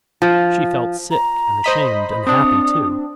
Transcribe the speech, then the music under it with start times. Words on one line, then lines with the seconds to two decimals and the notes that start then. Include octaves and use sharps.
She felt sick and ashamed and happy, too....
0.22 F3
1.11 A#5
1.64 C5 D#5 B5
2.27 C4 D4 D#6